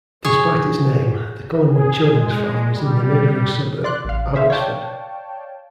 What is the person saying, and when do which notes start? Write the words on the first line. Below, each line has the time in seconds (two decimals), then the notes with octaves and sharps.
Despite its name, the Collingwood Children's Farm is in the neighbouring suburb Abbortsford.
0.25 G#4 C#5
1.68 G#4
2.11 G#3
2.73 G3
3.84 D5 C6 F#6
4.05 A1 F5
4.34 G#4 C5 E5 F5
4.50 C#5 D5 F5 G5 A5